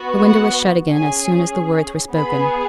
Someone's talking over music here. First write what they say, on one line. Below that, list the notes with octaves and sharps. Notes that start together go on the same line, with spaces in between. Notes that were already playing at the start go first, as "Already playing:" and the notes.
The window was shut again as soon as the words were spoken.
Already playing: B3 F#4
F#5
C#4 G#4 G#5
B3 G#4 B5